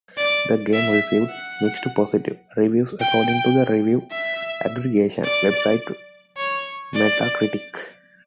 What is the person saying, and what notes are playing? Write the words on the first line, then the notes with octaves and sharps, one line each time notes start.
The game received "mixed to positive" reviews according to the review aggregation website Metacritic.
D5
E5
F#5
G5
E5
D5
C#5
D5